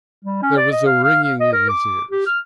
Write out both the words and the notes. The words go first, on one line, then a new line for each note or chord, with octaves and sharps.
There was a ringing in his ears.
G3
C#4
D5
D#5
F5
F5
F5
D#5
A#4
D6
G4
F6